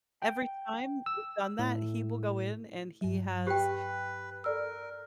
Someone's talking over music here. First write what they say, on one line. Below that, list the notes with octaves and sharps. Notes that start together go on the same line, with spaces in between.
Every time we've done that, he will go in and he has
G5
E6
A2
G2 F#3
G4 B4 G5
A4 A#4 D5 E6